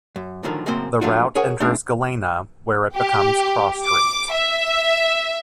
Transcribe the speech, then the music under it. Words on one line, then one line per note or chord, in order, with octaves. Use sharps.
The route enters Galena, where it becomes Cross Street.
F#2
F#2 A2 D3 D#3 F3
F#2 A2 C#3 A#3 C4 C5
F3 F#3 A3 D4 F4 F#4
G#4 A#4 C#5 F#5 G#5
A3 C4 D4 D#4 G#4
G4
D6
E5